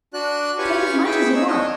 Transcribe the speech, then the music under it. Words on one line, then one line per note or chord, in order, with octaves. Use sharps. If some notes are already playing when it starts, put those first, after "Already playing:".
Take as much as you want.
D4 F#4 D5 F#6
F4 G4 B4 C#5 G#5 C#6
G#4 B4 E5 G5 C#6
D#4 C#5 E6
D4 C#5 D#5